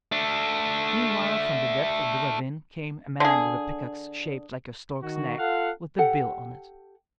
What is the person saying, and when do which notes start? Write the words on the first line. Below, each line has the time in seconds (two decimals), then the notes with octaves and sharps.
Meanwhile from the depth of the ravine came a man with a pickaxe shaped like a stork's neck with the bill on it.
0.12 A3 D4
3.20 D3 G#4
5.03 D#3 F#4
5.38 F4 A4 F5 F#5
5.98 G4 A4 F#5